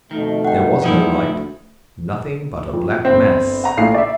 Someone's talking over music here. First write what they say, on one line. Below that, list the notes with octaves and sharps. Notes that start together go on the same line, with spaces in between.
There was no light; nothing but a black mass.
F2 B2 D#3 A3
F#5 G5
E3 F3 G3 A#3 D#4 E4
D2
F2
G1 C4
F#5 A#5
A#1 A2 F5 C7
D5 E5